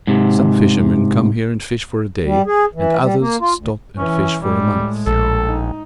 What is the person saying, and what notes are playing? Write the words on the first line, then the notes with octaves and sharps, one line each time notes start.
Some fishermen come here and fish for a day, and others stop and fish for a month.
G#2 C3
G3
G#4
E3
G3
A#3
F4
D2
E3 C#4
A2 G3 G#3
A#1 A4
D#4